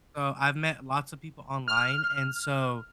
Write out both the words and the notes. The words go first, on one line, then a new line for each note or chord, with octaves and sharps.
so, I've met lots of people online, and so,
F6